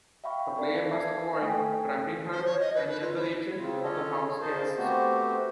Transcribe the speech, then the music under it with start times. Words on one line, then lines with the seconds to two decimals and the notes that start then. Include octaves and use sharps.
The player must avoid trapping her, any other agent, or the house guests.
0.24 E5 F5 G5 B5 C#6
0.56 C4 A4 A#4 D5 F5 A5
0.91 E5 A5 D#6 G#6 C7
1.42 A3 A4 F5 G5 G#5 D#6
2.32 C5
2.46 C#5
2.60 D#5
2.75 B4
2.89 B4
3.01 F4
3.16 E4
3.59 C#3 C4 F4
3.83 C#4 F4 A4 C#5 D#5
4.40 G#4 A#4 C5 D#5 F5 A5
4.77 A3 B3 C4 F#4 G4 C5